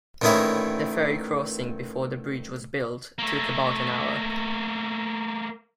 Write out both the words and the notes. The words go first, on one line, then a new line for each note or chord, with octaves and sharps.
The ferry crossing before the bridge was built took about an hour.
A1 A#2 D#3 D#4 E4 C#5
A3 A#3